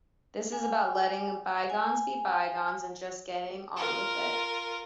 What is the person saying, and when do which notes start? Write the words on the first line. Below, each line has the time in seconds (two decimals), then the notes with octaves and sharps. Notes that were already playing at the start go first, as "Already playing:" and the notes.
This is about letting bygones be bygones and just getting on with it.
0.52 G#5
1.70 G#5
3.76 F4 A#4